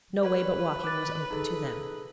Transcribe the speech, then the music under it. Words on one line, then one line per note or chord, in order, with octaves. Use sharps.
No way but walking was open to them.
A#4 B4 C#5
D6 F#6 A6
D#4 G#4 A4